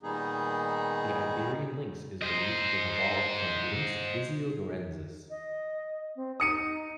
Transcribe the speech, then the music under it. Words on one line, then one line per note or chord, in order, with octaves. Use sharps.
The Iberian lynx is believed to have evolved from "Lynx issiodorensis".
A#2 D#3 G3 B3 D#4 G#4
C5 D#5
D#5
C4
D#4 D#6 C#7 D#7